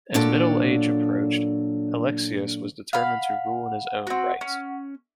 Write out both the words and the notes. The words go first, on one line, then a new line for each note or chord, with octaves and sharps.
As middle age approached, Alexios was determined to rule in his own right.
A#2 F#3 D4 A4 C#5
F5 F#5 B5
C4 F#4
C#4